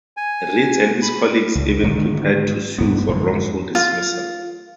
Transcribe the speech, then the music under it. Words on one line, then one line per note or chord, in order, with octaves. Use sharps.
Ritz and his colleagues even prepared to sue for wrongful dismissal.
G#5
B5
C#2
G#2 D3 D#3 G#3
G2 B3
F2 G#2 D3
F4